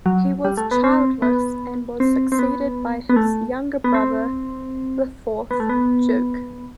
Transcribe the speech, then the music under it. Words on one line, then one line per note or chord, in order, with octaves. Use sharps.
He was childless and was succeeded by his younger brother, the fourth Duke.
F#3
G3
A3
B3
C4
B3
C4
C4
B3
B3
A3
B3
C4
B3
A3
B3